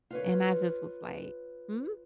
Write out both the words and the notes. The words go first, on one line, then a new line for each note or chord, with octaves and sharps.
and I just was like, "Hmm?"
F4 B4 C#5